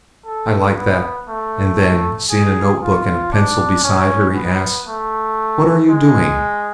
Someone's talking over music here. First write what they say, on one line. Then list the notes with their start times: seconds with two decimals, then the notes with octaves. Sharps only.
"I like that." And then, seeing a note-book and pencil beside her, he asked, "What are you doing?"
0.26 A4
0.78 B3
1.29 A3
2.30 G#4
2.83 F4
3.33 D4
3.84 C#4
4.36 B3
4.87 A3
5.89 G#3